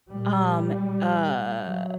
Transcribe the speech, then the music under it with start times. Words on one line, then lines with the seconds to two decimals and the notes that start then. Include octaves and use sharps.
Um, uh,
0.10 A#2 G3
1.61 F#3